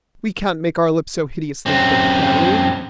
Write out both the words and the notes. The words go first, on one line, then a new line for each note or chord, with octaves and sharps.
We can't make our lips so hideously thick, can we?
F#2 C4